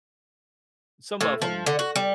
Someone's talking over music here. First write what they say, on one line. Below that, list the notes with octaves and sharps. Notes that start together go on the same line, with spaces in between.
some of 'em
A2
F3
D3
F#4
G3